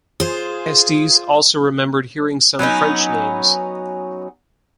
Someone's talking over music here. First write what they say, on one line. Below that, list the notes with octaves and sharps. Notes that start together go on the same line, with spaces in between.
Estes also remembered hearing some French names.
F4 G#4 C5
F#3 B3 C#4 D#4